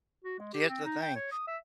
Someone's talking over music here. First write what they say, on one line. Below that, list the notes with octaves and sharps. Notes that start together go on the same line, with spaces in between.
here's the thing.
F#4
G#3
G4
C4
D#4
G5
C#5
D#6
E5